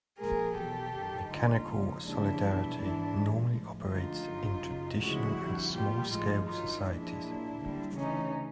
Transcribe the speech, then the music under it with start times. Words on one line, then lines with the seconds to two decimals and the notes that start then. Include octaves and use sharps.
Mechanical solidarity normally operates in "traditional" and small scale societies.
0.18 A#2 F3 G#3 G#4 A#4
0.55 E2 B2 F#3 G4 A4
0.92 F#2 D#3 F#3
1.29 D2 D3 G3 D#4 F4
1.66 D#2 C#3 F3 G#3
2.03 D#2 C#3 F3 G#3 D4 E4
2.41 E2 B2 G3
2.77 G#2 E3 G#3 D4 E4
3.14 G2 E3 G#3
3.51 A2 F3 G#3
3.88 D2 D3 F3 G#3 D#4 F4
4.25 G2 D3 F#3
4.62 F#2 C#3 F#3
4.99 D2 C#3 F3 G#3 E4 F#4
5.36 F2 D3 G3
5.72 A#2 G3 F4 G4
6.10 A2 F3 G#3 D#4 F4
6.47 G2 D#3 F#3 D#4 F4
6.84 A#2 F3 G#3 D4 E4
7.21 A#2 F#3
7.57 D#2 D3 G3
7.94 D2 C#3 E3 C#4 D#4